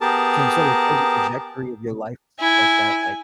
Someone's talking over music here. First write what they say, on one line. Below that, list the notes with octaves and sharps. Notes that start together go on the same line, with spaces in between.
can sort of change the trajectory of your life and stuff like that, like,
B3 G4 G#4 A#4 A5
E4 G#5